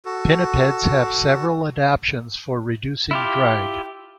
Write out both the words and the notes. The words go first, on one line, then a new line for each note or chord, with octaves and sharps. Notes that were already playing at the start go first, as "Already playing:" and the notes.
Pinnipeds have several adaptions for reducing drag.
F#4 A4
E4 F4 G4